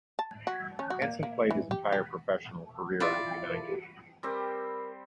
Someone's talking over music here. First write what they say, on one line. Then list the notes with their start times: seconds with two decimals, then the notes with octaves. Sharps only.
Hanson played his entire professional career with United.
0.19 A5
0.47 F#4
0.79 C#4
0.90 F#4
1.02 A#3
1.23 A#3
1.51 E3
1.71 G4
1.92 G4
3.00 E4 F4 D5
4.23 G3 C4 G4 A#4